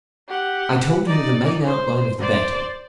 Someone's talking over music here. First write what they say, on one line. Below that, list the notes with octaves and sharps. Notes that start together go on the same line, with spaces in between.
I told her the main outline of the battle.
G4 F#5
D#4 D5
C5
C5 D5